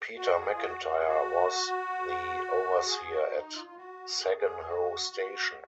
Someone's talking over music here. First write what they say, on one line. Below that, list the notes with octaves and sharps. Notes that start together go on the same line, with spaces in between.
Peter Macintyre was the overseer at Segenhoe Station.
F#4
G#4
F4
F#4
F#4
G#4
F#4
G#4
F#4
D#4
F4
F4
F#4
G#4
G#4
F#4
F#4